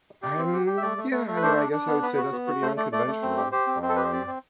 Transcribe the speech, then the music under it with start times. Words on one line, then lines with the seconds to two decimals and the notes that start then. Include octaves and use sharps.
And, yeah, I mean, I guess I would say that's pretty unconventional. Um
0.22 G4 D5
0.38 C4
0.53 G4
0.67 G4
0.77 E5
0.82 A3 D5
0.97 A3
1.12 A3
1.27 A3
1.36 B4
1.43 D4 C5
1.57 D4
1.72 D4
1.88 B3
2.02 B3 B4
2.18 F#4
2.33 B3
2.47 F#4
2.62 A3 C5
2.77 A3 D5
2.92 A3 D5
3.07 A3
3.22 C4
3.37 G4
3.52 G4 C5
3.67 C4
3.82 C4
3.89 A4
3.96 G4 B4
4.04 C5
4.12 C4 D5
4.27 C4